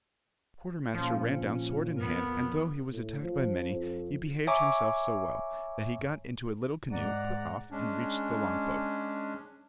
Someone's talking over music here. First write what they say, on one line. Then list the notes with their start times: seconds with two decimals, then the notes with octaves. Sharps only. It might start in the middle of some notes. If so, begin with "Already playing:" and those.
The quarter-master ran down sword in hand, and though he was attacked by many, he behaved himself so well, that he got into a little canoe, put off, and reached the long-boat.
0.94 A#2 F3 C#4
1.97 F2 B3 A#4
2.91 A2
3.22 F3
3.73 F2
4.47 C#5 E5 G#5 A#5 C#6 D6
6.92 G#2 D5 F#5 A#5
7.70 G#3 C#4 D4